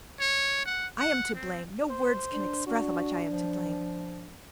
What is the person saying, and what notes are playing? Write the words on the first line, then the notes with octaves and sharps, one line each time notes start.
I am to blame, no words can express how much I am to blame!
C#5
F#5
F#5
C4
C5
D4
D4 F#4
F3